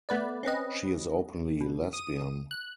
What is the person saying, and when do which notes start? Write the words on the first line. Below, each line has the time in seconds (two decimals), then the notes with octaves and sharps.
She is openly lesbian.
0.09 A3 B3 B4 D5
0.43 C4 C#4 B4 D#5
1.61 B2
1.93 D#6 D#7
2.51 F#6